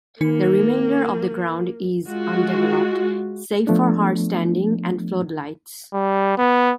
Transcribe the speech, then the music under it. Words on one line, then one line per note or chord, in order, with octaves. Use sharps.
The remainder of the ground is undeveloped, save for hard standing and floodlights.
D#3 A#3 D#4 C#7
G#3 F4 F#4
F3 A3 B3 D4
G3
B3